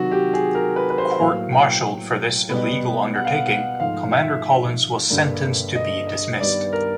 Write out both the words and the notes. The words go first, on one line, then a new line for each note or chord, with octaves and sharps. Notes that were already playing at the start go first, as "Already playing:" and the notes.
Court-martialled for this illegal undertaking, Commander Collins was sentenced to be dismissed.
Already playing: C3 D#3 F#3 F#4
G4
G#4
A#4
B4
B4
C5
A2 F#3 A#3 F5
G5
B2 G3 B3
F#5
F5
F#5
F#5
G#2 F3 A3 F5
E5
G2 D3 G3 A#3
D#5
D#5
G2 D#3 G3 B3 D5
A#4